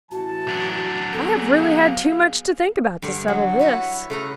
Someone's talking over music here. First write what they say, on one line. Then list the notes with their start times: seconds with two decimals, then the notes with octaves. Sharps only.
I have really had too much to think about to settle this.
0.11 A1 E3 F#4 A5
0.48 F#3 D4
1.13 B3 G#4 A4
1.59 F5
3.02 G2 D3
3.28 F#3 F#4
3.59 E4 B4 C#5
4.10 C#3 A3 B4 A#5